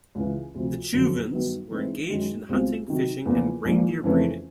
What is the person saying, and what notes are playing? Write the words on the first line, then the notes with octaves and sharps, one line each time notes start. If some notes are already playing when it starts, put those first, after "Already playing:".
The Chuvans were engaged in hunting, fishing and reindeer-breeding.
C#2 C#3 E3
D2 C3 F3
F#1 F2 D3 F#3
G2 D#3 F#3 B3
G#2 E3 G#3 C4 D#4
F#2 D#3 G#3 C#4
C#2 B2 G3 C4 F4
C3 D#3 F#3
E2 C#3 F3 A#3
A#1 G#2 F3 A#3
F2 C#3 E3 A3 C#4